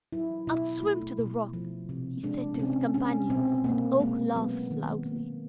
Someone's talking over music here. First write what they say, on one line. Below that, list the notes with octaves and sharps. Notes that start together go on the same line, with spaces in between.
"I'll swim to the rock!" he said to his companion, and Oak laughed loudly.
F#3 E4
B2 E4
A3
B2
F3
C3
G#3 D4
C4
C3 C#4
G#3 C#4
B2 C4
B2 A#3
G#3 A#3
F#3 B3
D#3
A#3